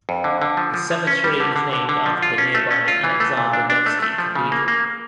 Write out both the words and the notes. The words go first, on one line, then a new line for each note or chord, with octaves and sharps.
The cemetery is named after the nearby Alexander Nevsky Cathedral.
F2
D3
D3
F3
F3
F3
C#4
G3
D3
D3
D3
D3
F3
F4
C#4
A3
C#4
F4
E3
A3
A#2
D4
D4
A3
A3
F3
C#3
A#3
A#3